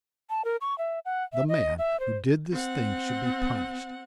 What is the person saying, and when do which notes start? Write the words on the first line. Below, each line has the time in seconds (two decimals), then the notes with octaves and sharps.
The man who did this thing should be punished.
0.30 A5
0.45 A#4
0.61 C#6
0.78 E5
1.05 F#5
1.33 E5
1.49 D#5
1.79 E5
2.00 C5
2.52 C4 F#5